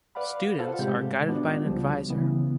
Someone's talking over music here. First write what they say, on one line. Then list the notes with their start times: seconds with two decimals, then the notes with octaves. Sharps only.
Students are guided by an advisor.
0.15 B4 D5 F5 F#5 B5
0.59 F4 A4 C5 F5 F#5
0.79 A2 C3 G#3 G4 G6
1.28 B3 D4 F4 F#4 D5
1.64 C#2 F3 G3
2.10 C#3 E3 B3